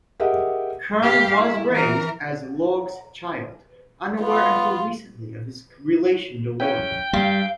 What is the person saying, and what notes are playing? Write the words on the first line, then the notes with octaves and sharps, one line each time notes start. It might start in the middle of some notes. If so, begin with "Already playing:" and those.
Kurn was raised as Lorgh's child, unaware until recently of his relation to Worf.
G4 G#4 A#4 D#5 E5 F#5
G4 F5
E4
E3 A#4
B3 F4
C#4 E4 B4 G5
G2 G3 F5